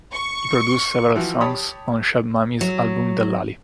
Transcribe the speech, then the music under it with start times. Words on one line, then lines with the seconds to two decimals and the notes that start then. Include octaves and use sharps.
He produced several songs on Cheb Mami's album Dellali.
0.13 C#6
1.15 E3 F3 E4 F#4
1.41 G4 C#5 A5 B5 D#6
2.61 F#3